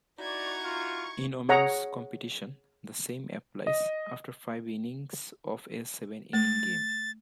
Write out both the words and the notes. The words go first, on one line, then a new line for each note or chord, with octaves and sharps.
In women's competition, the same applies after five innings of a seven-inning game.
D#4 E4 F#4 D5 A#5 C#6 G#6
F4
G#4 C#5 F#5 A#5
D#5
A3 A6